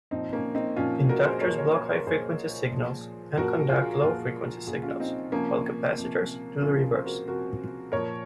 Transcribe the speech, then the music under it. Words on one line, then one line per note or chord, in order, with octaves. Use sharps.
Inductors block high-frequency signals and conduct low-frequency signals, while capacitors do the reverse.
A#2 F3 C4 D#4
A#3 C#4
C4 D#4
A#2 F3 C#4 F4
F#4 A#4
G#4 C5
A#2 F3 A#4 C#5
A#4 C#5
A#4 C#5
A#4 C#5
A#2 F3 G#4 C5
A#2 F3
A#2 F3 F#4 A#4
F4 G#4
A#2 F3 F4 G#4
A#2 F3 F4 G#4
C#4 F4
C4 D#4
C3 F3 A#3 C#4
C3 F3
C3 F3 C#4 F4
F4 G#4
C5
F#4 A#4
C3 F3 F#4 A#4
A#2 F3 A#4 C#5